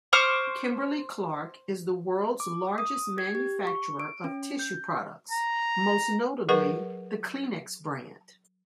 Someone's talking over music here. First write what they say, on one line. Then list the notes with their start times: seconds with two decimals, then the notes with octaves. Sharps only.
Kimberly-Clark is the world's largest manufacturer of tissue products, most notably the Kleenex brand.
0.13 C5 C#6 D6 F6
2.40 D6
2.78 D#6
3.18 G#6
3.35 G4
3.67 C#6
4.00 D7
4.24 C#4
4.59 G6
5.31 A#5
6.49 F#3 G#4 A#4 B4 F#5 C#6